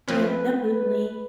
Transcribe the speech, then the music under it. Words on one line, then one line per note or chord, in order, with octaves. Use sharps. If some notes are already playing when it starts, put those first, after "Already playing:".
Yeah, definitely.
F3 C4 C#4 B4